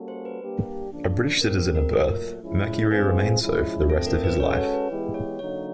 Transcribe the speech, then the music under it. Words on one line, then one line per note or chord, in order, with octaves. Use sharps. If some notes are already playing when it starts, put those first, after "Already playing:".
A British citizen at birth, Mercury remained so for the rest of his life.
Already playing: G3 A#3 C#4 F#4 A4
C5
B4
G3 A#3 D4 G4
C#3 F3 A#3 D4
B2 G#3 C4 A#4
A#4
A#4
A#2 F#3 A3 A#4
F3 G#3 C#4 E4
G#3 C4 F4 G#4 B4
F3 G#3 C#4 E4
D3 F3 A3 C4 A4
A#4
B4
G#3 C#4 F#4 A4 C#5
C#5
B4
E3 G#3 B3 E4 G4
C#5
D3 F#3 A#3 D#4 C#5